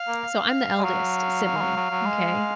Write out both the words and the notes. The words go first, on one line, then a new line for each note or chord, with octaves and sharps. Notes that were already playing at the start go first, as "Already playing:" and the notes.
so I'm the eldest sibling, okay?
Already playing: F5
A#3
G#3
F#3 F5
F#3
G#3
F#3
F#3
F#3
G#3